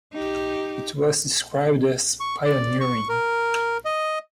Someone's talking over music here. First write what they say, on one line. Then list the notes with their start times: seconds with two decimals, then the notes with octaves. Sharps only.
It was described as "pioneering".
0.14 D#4 G4
2.20 C#6
2.45 D5
2.81 C#6
3.09 A#4
3.85 D#5